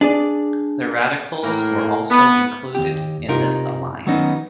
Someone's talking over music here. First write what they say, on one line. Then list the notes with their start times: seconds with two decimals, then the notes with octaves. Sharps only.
The Radicals were also included in this alliance.
0.01 D4 G#4 D5
1.42 A2 A#3 A#4
2.10 B3
2.75 D#2 G4
3.28 C3 D#4 F4 A#4
4.06 D#3 F#3 B3 C#4 D#4